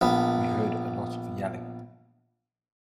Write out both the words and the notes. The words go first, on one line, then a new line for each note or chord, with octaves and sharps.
We heard a lot of yelling.
A#1 B3